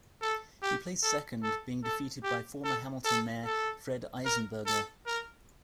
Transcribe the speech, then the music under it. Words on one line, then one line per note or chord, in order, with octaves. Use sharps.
He placed second, being defeated by former Hamilton Mayor Fred Eisenberger.
A4
G4
A4
A4
A4
G4
A4
A4
A4
A#4
A4
A#4